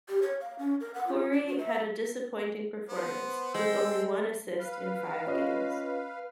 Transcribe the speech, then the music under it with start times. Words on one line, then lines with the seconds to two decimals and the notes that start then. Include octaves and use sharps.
Kurri had a disappointing performance, with only one assist in five games.
0.09 G4
0.22 C#5
0.41 F5
0.58 C#4
0.81 A#4
0.94 F#5
1.07 F4
1.32 D5
1.47 F#4
1.59 E5
2.89 B3 C5
3.54 G#3 C4 A4 G5 E6
4.59 B4 F5
5.26 C#4 F4 D#5